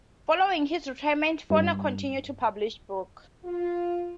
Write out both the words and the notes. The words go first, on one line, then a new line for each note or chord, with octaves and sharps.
Following his retirement, Foner continued to publish books.
G2
F4